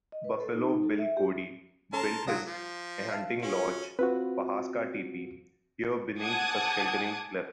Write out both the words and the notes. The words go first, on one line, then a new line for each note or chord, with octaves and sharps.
Buffalo Bill Cody built his hunting lodge, Pahaska Teepee, here beneath a sheltering cliff.
D#5
B4
A4
D#4
D#4
A4
E5
G4
C#4 A4 A#4 A5 C6
F#3 G3 F4 D#6
F3
E5 F5 A5
C#4 F4 F#4 G#4
C4 F4 F#4 B4
F#5 G#5 A5 D6 D#6 G#6